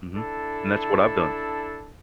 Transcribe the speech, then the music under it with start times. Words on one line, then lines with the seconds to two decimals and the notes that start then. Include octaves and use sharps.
Mhm. And that's what I've done.
0.16 D4 E4 A4